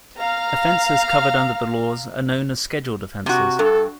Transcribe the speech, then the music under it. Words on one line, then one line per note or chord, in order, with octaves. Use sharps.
Offences covered under the laws are known as "scheduled offences".
F5 A#5 F6
C3 F#4
G2 A4